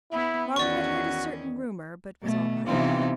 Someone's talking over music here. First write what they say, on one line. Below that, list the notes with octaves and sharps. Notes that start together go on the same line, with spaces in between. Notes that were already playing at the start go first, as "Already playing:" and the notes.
Margaret had heard a certain rumour, but was all right.
B3 E4
E2 D#3 C#4 F#4 D5 C#6
B2 A3
C3 E3 B3 C4 D#4 F4